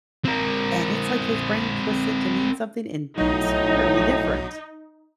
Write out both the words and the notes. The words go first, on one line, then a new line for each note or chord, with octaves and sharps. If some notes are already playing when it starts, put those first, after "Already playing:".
and it's, like, his brain twisted to mean something entirely different.
C4 A#4
B1 A2 F#3 D#4